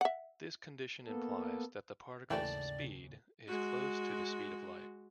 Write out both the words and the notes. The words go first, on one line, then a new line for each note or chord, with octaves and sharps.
This condition implies that the particle's speed is close to the speed of light.
E5 F#5
A#3 B3 A4
D#2 G#2 C#3 E3 A3 D5 G5 A5
G#3 F#4